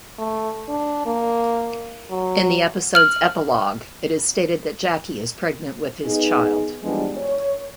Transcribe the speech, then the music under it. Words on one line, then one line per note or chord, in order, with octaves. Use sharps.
In the episode's epilogue, it is stated that Jackie is pregnant with his child.
A3
D4
A#3
F#3
F6 F#7
B3 D#4 G#4
E3 F3 G3 G#3 B3 D4
C#5